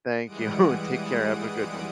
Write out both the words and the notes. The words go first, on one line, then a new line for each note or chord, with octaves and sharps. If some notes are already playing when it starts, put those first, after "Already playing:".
Thank you. And, take care. Have a good one.
E3 G3 G#3 F#5 D#6 D7